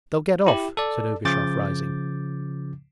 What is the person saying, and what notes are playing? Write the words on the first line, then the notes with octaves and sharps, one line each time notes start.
They'll get off,' said Ergushov, rising.
E4 G4
A4 D5
C#3 F3 D6 G6 A6